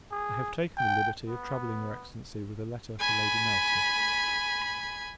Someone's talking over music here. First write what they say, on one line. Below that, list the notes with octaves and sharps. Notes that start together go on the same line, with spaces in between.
I have taken the liberty of troubling your Excellency with a letter for Lady Nelson.
G#4
G5
B3
G#5 B5